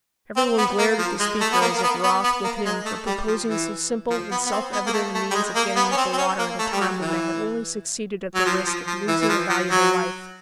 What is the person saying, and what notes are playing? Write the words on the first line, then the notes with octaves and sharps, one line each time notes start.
Every one glared at the speaker as if wroth with him for proposing so simple and self-evident a means of getting at the water at a time when they had only succeeded at the risk of losing a valuable life.
C4
B3
A#3
F3
G#3
A3
B3
A#3
A#3
B3
B3
B3
A#3
G#3
A3
G3
F3
E3
F3
B3
B3
C4
B3
A#3
A3
A3
G3
G#3
A#3
B3
C#4
C4
C4
C#4
A#3
A3
G3
F#3
E3
F#3
F3
F3
F3
E3
E3
F3
F3
F#3